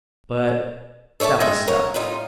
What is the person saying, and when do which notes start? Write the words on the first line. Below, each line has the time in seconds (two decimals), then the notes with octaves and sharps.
But that was stuff.
1.20 A4 C#5 D5 E5 A5
1.40 G#3 D#4 E5 G5
1.67 D3 A#4 C#5
1.94 A2 C3 G3 D#4 F4